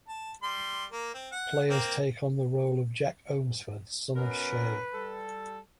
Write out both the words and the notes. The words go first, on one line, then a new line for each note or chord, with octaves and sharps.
Players take on the role of Jak Ohmsford, son of Shea.
A5
G3 C6
A#3
C4
F#5
A#3 C4
B2 C#4 A#4 B4
G3 A4